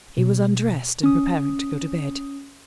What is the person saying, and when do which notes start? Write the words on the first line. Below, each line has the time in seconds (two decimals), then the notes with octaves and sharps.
He was undressed and preparing to go to bed.
0.18 B2
1.03 C#4 D#6